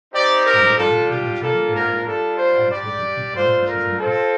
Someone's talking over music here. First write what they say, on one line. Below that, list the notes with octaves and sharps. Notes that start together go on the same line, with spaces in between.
I'm, uh, uh, getting introduced to it and I like I get to work with people, which is nice
C4 D#4 G4 D5
A#4
G3 D4 F4 A4
G4
A#3 D4 F4 A4
A#4
G3 D4 F4 A4
C5
G3 D4 G4 D5
A3 D4 F4 C5
A#4
C4 F4 A4